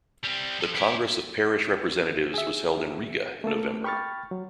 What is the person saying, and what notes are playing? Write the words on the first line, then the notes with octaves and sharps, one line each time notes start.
The Congress of Parish Representatives was held in Riga in November.
G3 C4
F3 A4
E4 G4
G#4 E5
A3 A#3 A4
G5 B5 C#6 F6 A6
F#3